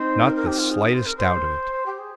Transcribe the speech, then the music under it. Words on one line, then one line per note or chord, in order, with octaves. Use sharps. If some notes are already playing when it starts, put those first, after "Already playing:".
"Not the slightest doubt of it."
Already playing: C4 D#4 C5
A#4
A#4
G4
F4
G#4
C5
A#4
C5
G4
G#4